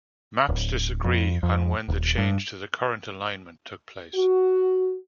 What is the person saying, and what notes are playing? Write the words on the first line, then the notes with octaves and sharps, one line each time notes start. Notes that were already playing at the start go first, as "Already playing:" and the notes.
Maps disagree on when the change to the current alignment took place.
D1
F2
F2
D#1
G2
F#4